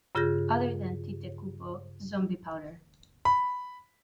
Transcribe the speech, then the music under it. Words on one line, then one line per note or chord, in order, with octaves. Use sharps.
Other than Tite Kubo, Zombiepowder.
G2 C#3 F4 G#4 G6 A#6
B5